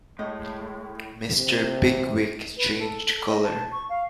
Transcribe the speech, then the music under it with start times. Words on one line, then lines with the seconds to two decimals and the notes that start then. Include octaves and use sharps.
Mr. Pickwick changed colour.
0.19 A2 G#3 A3 D#5
1.36 C3
2.57 B4
2.79 A4
3.29 D#5
3.44 A5
3.72 C#6
3.89 F5